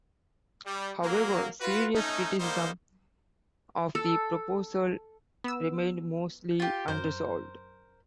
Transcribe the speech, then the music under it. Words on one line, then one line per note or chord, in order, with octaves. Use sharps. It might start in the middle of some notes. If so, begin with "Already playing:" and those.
However, serious criticisms of the proposal remained mostly unresolved.
G3
F#3 A#3
F4 F#4 B4
A3 C#4 D#4
D3 G3 A#3 D#4 C5
A4
B3 E6
F4 G4
F#2 A#4 C5